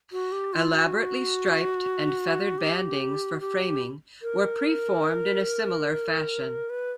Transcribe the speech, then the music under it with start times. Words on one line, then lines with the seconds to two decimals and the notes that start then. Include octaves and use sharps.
Elaborately striped and feathered bandings for framing were pre-formed in a similar fashion.
0.12 F#4
0.32 G4
0.53 F4
0.73 F#4
2.58 G4
3.35 F#4
3.40 G4
4.22 A#4
6.70 B4